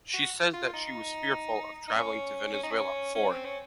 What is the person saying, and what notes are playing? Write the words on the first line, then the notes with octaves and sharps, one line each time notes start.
She says that she was fearful of traveling to Venezuela for it.
F#4
F4
D#4
D#4
C#4
C#4
D#4
C#4
C#4
C4
C#4